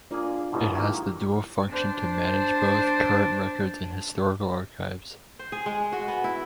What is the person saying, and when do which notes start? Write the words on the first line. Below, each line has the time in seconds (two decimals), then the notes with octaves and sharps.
It has the dual function to manage both current records and historical archives.
0.11 A#3 D4 F4 G#4 D5
0.52 C#2 G#2 B2 E4 G4
0.75 D#3 F#3 A#3
1.69 D4 C5
5.39 C5
5.52 G#4
5.66 G#3
5.92 F#4
6.08 B3
6.24 E4